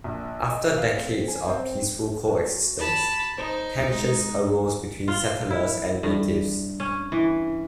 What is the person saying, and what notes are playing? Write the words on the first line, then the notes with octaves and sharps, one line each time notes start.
After decades of peaceful coexistence, tensions arose between settlers and natives.
A#1
D#5
F5
C4
G#5
C4
F#4
A5 B5
D#4 C5
G#3
F4
E4
G2
C#4
E3